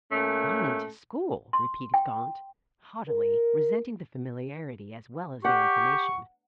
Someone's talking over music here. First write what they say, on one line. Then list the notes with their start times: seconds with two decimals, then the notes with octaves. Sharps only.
"Gone into school!" repeated Gaunt, haughtily, resenting the familiarity, as well as the information.
0.12 A#2 A3 C#4
1.53 C6
1.94 G5
3.09 A#4
5.44 G4 F#5 C#6